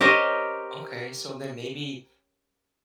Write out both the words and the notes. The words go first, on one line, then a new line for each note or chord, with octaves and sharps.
Okay so, then maybe
G4 A#4 C5 C#5 D#5